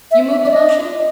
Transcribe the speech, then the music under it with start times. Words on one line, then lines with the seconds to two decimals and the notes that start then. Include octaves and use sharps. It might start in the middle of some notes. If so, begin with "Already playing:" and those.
You move a motion?
0.11 E5
0.31 E5
0.46 D5
0.51 D#5